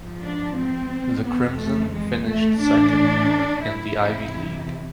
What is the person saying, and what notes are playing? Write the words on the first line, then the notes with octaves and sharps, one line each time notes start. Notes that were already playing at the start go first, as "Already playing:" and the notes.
The Crimson finished second in the Ivy League.
Already playing: G#2 F3
D4
C4
F2 E3 B3
A3
G#3
A3
A2 E3 D4
E4
F2 C3 E3